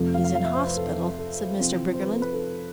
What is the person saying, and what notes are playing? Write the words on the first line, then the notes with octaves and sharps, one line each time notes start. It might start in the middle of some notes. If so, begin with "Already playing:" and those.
"He's in hospital," said Mr. Briggerland.
Already playing: F2 C3 F3 A3
F5
F5
F5
E5
C5
B4
A4
A4
C3 F3 C4
C5
B4
A4
B4
A4